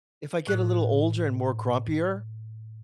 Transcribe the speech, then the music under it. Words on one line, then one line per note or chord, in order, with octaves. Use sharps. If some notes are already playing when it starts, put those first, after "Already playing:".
if I get a little older and more grumpier
A2 F#6